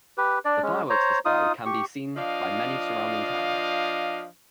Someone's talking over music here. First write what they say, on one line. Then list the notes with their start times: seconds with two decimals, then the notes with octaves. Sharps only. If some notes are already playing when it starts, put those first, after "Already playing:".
The fireworks display can be seen by many surrounding towns.
0.18 G4 B4
0.45 D4 D5
0.62 G#3 C#4
0.90 C5 C#5 A#5
1.25 D#4 F4 D#6
1.66 G4 C#6
2.16 F3 D4 D#5 F5